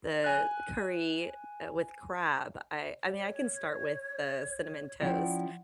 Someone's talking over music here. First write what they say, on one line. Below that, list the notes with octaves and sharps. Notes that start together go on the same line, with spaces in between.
the curry, uh, with crab, I I mean I can start with the cinnamon toast,
G#5 F#6
C#5
F3 C#4 E4 D5 F#5 G5